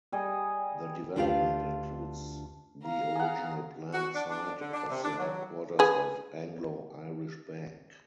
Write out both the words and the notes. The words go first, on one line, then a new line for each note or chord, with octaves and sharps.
The development includes the original planned site of the headquarters of Anglo Irish Bank.
G3 G#4 D#5
D2 D4 F4 G4 B4 F5
F5 A#5
G#4 F#5
F#4
D4
D4
D3
D4
C3
D4
F#3
G#4 B4